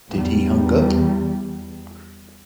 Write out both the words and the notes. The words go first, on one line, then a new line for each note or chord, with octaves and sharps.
Did he hung up?
E2 G3